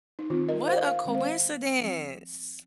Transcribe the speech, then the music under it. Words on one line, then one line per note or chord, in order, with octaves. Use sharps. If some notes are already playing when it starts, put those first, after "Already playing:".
What a coincidence.
D#4
D#3 C4 F4
A#4 D#5
C5 F5
F5
D#3 G#3 C4
C5 F5
F3 C4